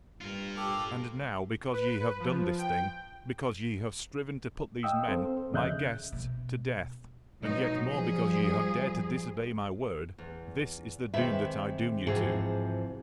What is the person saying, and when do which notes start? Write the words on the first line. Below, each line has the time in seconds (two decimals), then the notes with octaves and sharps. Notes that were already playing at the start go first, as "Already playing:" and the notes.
And now, because ye have done this thing, because ye have striven to put these men, my guests, to death, and yet more because ye have dared to disobey my word, this is the doom that I doom you to.
0.21 G2 F4 A#4
0.57 G4 A4
1.73 B4
2.20 F3
2.58 G5
4.83 D#5 F5 G5 D#6 E6
5.08 C4 A4 C5
5.53 F2 C#3 D#5 E5 F#6 G6
6.12 B2
7.41 B2 F#3 G#3 D#4
7.91 F3 G3 G#4
10.18 E2
11.14 C3 D#3 G#3 B4 E5
12.07 G#2 C3 E3 F3 F#4 G#4